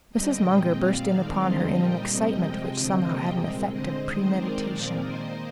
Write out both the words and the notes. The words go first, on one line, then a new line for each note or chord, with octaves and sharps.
Mrs. Munger burst in upon her in an excitement which somehow had an effect of premeditation.
D3 G3 C4 D#5 G5
A#2 G#3 C4
A#2 G3 C4 D5 F5
D#3 G#3 C4
D3 G3 C4 C5 D#5
A#2 G3 A#3 D#5 G5
C3 G3 C4
C3 F3 G#3 C4 D#5 G5
D3 F3 C4 D#5 G5
C3 G3 A#3 D#5 G5
A#2 G#3 C4
D3 G#3 C4 C5 D#5
D#3 G#3 C4
D#3 G#3 C4 A#4 D5
A#2 F3 G#3 C4 A#4 D5
D#3 A#3 C5 D#5